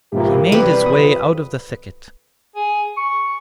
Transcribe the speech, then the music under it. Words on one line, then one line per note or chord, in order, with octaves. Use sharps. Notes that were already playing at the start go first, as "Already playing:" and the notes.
He made his way out of the thicket.
G#2 B2 F3 A#3 E4 G4
C3 E3 G3 G4 B4
F2 D#6
G#4
C#6